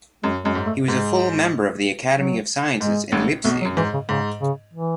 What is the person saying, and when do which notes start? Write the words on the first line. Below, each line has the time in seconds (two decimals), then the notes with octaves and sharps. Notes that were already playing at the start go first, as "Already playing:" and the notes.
He was a full member of the Academy of Sciences in Leipzig.
0.23 F#2 G#3
0.44 F#2 G#3
0.55 G#2
0.66 A3
0.88 G#2 G#3
2.16 F#3
2.80 G#2 G#3
3.12 A1 A2
3.44 B1 B2 A3
3.61 F#3
3.65 F#2
3.77 G#2 E3
3.93 C#3
4.09 G#2 C#3
4.41 C#3
4.74 E3